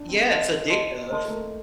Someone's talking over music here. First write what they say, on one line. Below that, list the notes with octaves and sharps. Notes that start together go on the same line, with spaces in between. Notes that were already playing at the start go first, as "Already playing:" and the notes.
Yeah, it's addictive.
Already playing: D4
C4
C5 D#5 A5 C6
C5 D#5 A5 C6
A#3 C5 D#5 A5 C6
A3
A#3